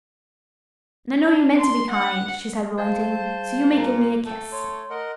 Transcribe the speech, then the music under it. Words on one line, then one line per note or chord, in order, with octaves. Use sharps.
"And I know you meant to be kind," she said, relenting, "so you may give me a kiss."
D4
C6
F#5
G3 G#4 C5 F5 A5 G6
A#2
A3
C#5 C6
A#4 D#5 F#5